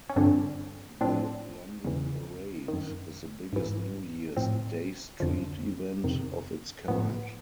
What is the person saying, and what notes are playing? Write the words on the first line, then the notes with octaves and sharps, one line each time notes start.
The London parade is the biggest New Year's Day street event of its kind.
C#4
G2 D3 F3 C4 D4
A2 F3 C4 D4
E2 C#3 E3
D#3
F#2
G#2 E3
A2 F3 C4
F2 D3 F3
F2 C3 D#3
A2 F3 B3